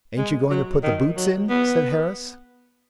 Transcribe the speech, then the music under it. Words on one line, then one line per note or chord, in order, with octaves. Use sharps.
"Ain't you going to put the boots in?" said Harris.
G#3
F#3
D#3
F#3
B3